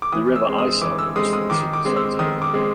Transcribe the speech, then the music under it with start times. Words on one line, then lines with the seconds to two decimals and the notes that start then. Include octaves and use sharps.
The River Isar runs through the city centre.
0.02 D6
0.12 E3 D#6
0.35 E6
0.47 G#3 C4
0.58 D#6
0.81 E3 D6
0.98 E6
1.16 G#3 C4 D#6
1.33 D#6
1.50 D#3 D6
1.74 D6
1.85 G#3 C4
1.96 E6
2.19 D#3 D#6
2.42 D6
2.54 G#3 C4